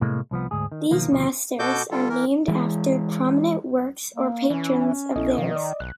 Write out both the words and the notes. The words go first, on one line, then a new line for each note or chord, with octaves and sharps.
These masters are named after prominent works or patrons of theirs.
A2 C3 G#3 A#3
C2 F3 B3
D2 G#2 G#4
D#3
B1 D#3 F3 A#3
D2 B2 D#3 F3
B2 F#4 A4 D6 G6
D3 G3 F4 A4
E3 A#4
E3 G#3
A#3
E3 C#4
A#1 E4 A4 D#5
B2 D#3 F3
D5 D#5
B1 F#6